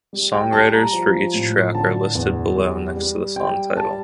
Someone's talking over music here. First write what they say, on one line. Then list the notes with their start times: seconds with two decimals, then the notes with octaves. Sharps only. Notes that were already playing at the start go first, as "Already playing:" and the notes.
Songwriters for each track are listed below next to the song title.
0.13 G3
0.33 G5
0.53 G3 A5
0.74 A#5
0.93 F3
1.34 A2
1.74 D3 A5
2.15 E2
2.56 G3
2.96 G3
3.36 G3 G5
3.77 G3 A5